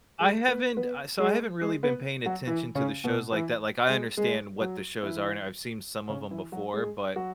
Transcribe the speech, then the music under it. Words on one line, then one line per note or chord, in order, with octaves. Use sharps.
I haven't, I so I haven't really been paying attention to the shows like that, like I understand what the shows are, and I've seen some of 'em before, but
G#3 G#4
B3 B4
B3 B4
G#3 G#4
G#3 G#4
B3 B4
F#3 F#4
E3 E4
C#3 C#4
B2 B3
E3 E4
G#3 G#4
G#3 G#4
F#3 F#4
E3 E4
C#3 C#4
E3 E4
F#3 F#4
G#3 G#4
F#3 F#4